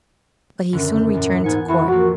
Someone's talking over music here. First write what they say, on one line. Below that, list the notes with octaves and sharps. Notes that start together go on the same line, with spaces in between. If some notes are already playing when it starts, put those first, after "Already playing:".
But he soon returned to court.
D#1 F#2 D3
E2 A#2
G#2 B3 G#5 C#7
F2 E4 F#4 C#6
A1 A#3 F#4